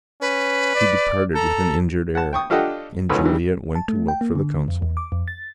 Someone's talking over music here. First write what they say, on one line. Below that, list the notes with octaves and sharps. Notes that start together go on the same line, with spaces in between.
She departed with an injured air, and Juliet went to look for the consul.
C#4 B4
D5
A4 A#5
F#5 A5
G5 C#6 D#6
D4 F4 G4 A4 D#5 F#5
G#1 C#2 D#3 A4 B4 C#5
D#3 E3 G3
A5
A3
G5
A#3
D3
F2
E2
D6
F2
A6